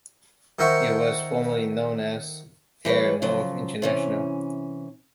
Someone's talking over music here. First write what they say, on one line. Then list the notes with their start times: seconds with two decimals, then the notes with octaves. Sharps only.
It was formerly known as Air North International.
0.59 D#3 A#4 C5 E5 F#5 C#6
2.85 E3 G3 B4 C#5
3.22 C#3 F3 F#3
3.82 C3 E3 C#4